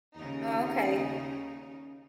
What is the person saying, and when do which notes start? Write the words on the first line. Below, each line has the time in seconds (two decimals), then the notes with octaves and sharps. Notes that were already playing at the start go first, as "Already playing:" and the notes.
Oh, okay.
0.17 D#2 C#3 D#4